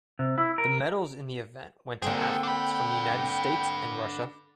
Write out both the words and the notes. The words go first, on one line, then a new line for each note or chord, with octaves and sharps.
The medals in the event went to athletes from the United States, and Russia.
C3
E4
A#4
D3 A#3 C4 G#4 A#4 G5
D4 B5